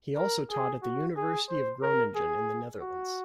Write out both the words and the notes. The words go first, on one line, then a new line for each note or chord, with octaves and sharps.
He also taught at the University of Groningen in the Netherlands.
A#4
G#4
F#4
G#4
C5
A#4
G#4
F#4